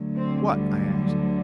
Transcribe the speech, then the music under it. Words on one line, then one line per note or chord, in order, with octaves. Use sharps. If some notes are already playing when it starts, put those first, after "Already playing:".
"What?" I asked.
Already playing: D2 D3 F#3
C4
G3